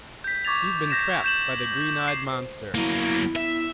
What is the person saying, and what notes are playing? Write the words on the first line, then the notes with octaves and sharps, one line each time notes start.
You've been trapped by the green-eyed monster.
G6 B6
C#6 D6 G#6 A6 F7
G6 A#6 B6 E7
G6 E7 F#7
F#7
C7
C5
F#3 A#3 B3 E4
E5